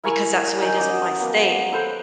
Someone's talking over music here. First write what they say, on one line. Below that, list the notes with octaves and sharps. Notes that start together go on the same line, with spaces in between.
because that's the way it is in my state.
E4 A#4 G#5 C#6
D#4 G5 G#5
F#3 C#4 D6 D#6
A#3 B3
A4 B4 C5